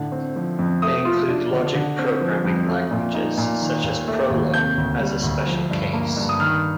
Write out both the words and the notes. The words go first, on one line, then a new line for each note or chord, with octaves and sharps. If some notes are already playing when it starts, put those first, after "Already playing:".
They include logic programming languages such as Prolog as a special case.
Already playing: A2 D3
C4
F3
F2
A3 D#6
F4
D4
D3
D3
C4
F3
F2
A3
A#2
D#4
A#2
D#3
D#2
A3
D#2
C3 G6
D2
G3
D2
F3
G2
A#3
G2
D#6
D#3 F6